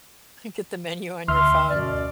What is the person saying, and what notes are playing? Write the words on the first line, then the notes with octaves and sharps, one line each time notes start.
get the menu on your phone.
D2 E5 C6 F6
F#2 B2 D5